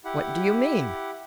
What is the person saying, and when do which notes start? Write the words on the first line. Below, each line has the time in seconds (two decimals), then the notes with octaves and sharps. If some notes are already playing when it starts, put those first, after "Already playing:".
What do you mean?
0.05 E4 G4 F#5